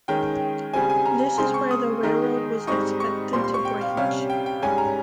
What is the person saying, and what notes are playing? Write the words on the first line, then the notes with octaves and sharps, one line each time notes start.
This is where the railroad was expected to branch.
D#3 G#3 C#4 G5
C#3 G3 C4 G#5
G#5
A#5
C#3 G#3 C4 C6
C#6
D#6
D#3 G#3 D#4
G#2 G3 C4 D#4 C#6
C#6
A#2 G3 C4 C6
C6
C#6
G5
F5
C3 G3 C#4 F5
G5
G5
G#2 G3 C#4 G#5
A#5